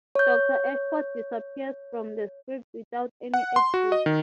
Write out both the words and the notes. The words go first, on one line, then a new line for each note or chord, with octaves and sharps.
Doctor Ashford disappears from the script without any exit.
C#5 G6
F#5
C6
F#4
D#5
D#3